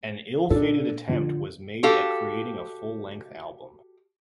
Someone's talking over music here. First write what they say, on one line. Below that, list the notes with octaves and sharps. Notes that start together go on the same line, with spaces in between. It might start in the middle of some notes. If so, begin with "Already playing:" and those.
An ill-fated attempt was made at creating a full-length album.
A#2 D4 A4
F2 D3 F3
F#4 G4 A4 F5